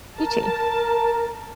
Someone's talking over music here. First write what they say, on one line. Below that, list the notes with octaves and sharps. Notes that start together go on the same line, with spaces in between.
You too.
A#4 A5